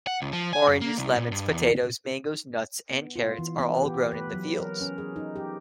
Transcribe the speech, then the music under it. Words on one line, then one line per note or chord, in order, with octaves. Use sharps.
Oranges, lemons, potatoes, mangos, nuts and carrots are all grown in the fields.
F#5
C#2
F3
G#5
F#2
A#3
C2
A#2
G2
E2
B3
F4
E3
B3
G4
B4
F#3
A#4
C#4
G#4
D#4
G4